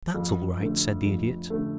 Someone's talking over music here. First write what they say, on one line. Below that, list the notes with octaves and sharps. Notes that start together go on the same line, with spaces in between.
"That's all right," said the Idiot.
F2
D3 A3
F2
D3 A3